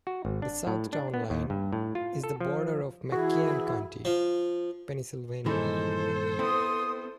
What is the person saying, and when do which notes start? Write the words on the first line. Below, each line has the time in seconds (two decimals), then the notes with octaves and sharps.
The south town line is the border of McKean County, Pennsylvania.
0.07 F#4
0.25 G#1
0.42 D4
0.67 A2
0.93 D4
1.14 B3
1.30 D#2
1.50 G2
1.73 A2
1.95 F4
2.24 A4
2.40 F3
3.12 E3 E4 F#4 G#4
4.05 F3
5.46 G2 A#2 D#3 E3 G#3 D#4 A4 C5
6.39 B3 C4 E4 C6 D#6